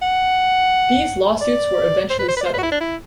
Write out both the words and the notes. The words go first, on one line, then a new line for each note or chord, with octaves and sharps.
These lawsuits were eventually settled.
F#5
D5
C5
B4
C5
B4
D5
C5
B4
F#4
E4
D4
E4